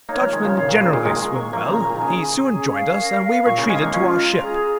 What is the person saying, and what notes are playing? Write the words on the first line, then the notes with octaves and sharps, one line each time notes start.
Dutchmen generally swim well: he soon joined us, and we retreated to our ship.
A#3 D#4 C#5
F3 A#3
D#3 G#3 C#5
C#3 F3
A#2 D#3 F5
A#2
C#3 G#4
A#2 D#3
D#3 G#3 A#5
C#6
F3 A#3 A#5
C#3
A#2 G#4
A#2
D#3
C#3 G#5
G#4
C#4
F5
A#4
F5
A#2 C#6
C#3
G#3 C#4 F5
A#3 D#4
G#3 C#4 F4
A#5
G#4